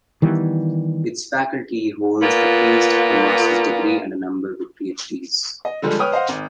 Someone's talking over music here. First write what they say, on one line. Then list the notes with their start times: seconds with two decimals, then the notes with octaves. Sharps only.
Its faculty holds at least a master's degree and a number with PhDs.
0.22 D#3 E3 G3 B3
2.21 A#2 B3 F4
5.65 D#5
5.82 D3 F3 G3 G#3 A4
5.99 B4 C#5 G5 D#6 F6
6.12 C5 D#5 F5 F#5
6.29 G#1